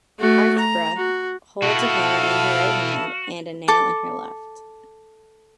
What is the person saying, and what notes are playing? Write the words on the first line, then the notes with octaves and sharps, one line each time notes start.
Athrpa holds a hammer in her right hand and a nail in her left.
A3 F#4
A#5
F#4
B2 E4 F#4 A4 F5 A5
A4 D6